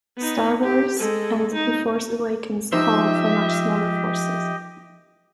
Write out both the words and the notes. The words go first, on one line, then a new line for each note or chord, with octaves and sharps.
"Star Wars" and "The Force Awakens" call for much smaller forces.
B3 D#4
G4
G#3 A4
D#4
F3 D#4 G4 C5 D#5 E5